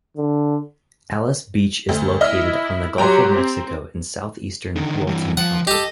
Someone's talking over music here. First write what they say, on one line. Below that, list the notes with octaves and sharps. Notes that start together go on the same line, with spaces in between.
Alys Beach is located on the Gulf of Mexico in southeastern Walton County.
D3
D2
E4 D#5 E5 F6
F#3 G4 G5 A#5 C6
C4
D3 D#3
G2 E3
F3 F#5
G4 A4 D#5